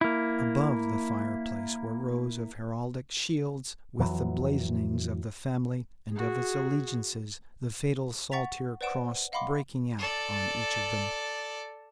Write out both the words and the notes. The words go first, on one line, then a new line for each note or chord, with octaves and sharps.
Above the fireplace were rows of heraldic shields with the blazonings of the family and of its alliances, the fatal saltire cross breaking out on each of them.
A#3 E4
F2 E3 F#3
F#4 G#4
F#5 C#6 A6 B6 F7
B4 C5 D5 F#5 D7 E7
D#5 F5 F#5 B5 C6 D6
A4 D5